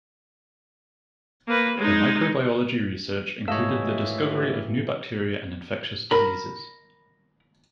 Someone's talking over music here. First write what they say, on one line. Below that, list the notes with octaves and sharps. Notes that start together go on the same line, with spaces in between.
Her microbiology research included the discovery of new bacteria and infectious diseases.
A#3 B4
G#3 D#4
D#2 G#2 E3 A3 C#5 D#5 F5 E6
A#4 B5